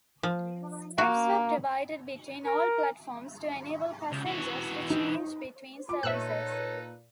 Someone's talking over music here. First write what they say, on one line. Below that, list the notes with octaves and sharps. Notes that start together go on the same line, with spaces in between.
Steps were provided between all platforms, to enable passengers to change between services.
F3
A#3 F#4
A#4
C#2
E3 F#4
D#4
F4 D6
A#2 D#4 A4 B4 C#5 E5 E6 F#6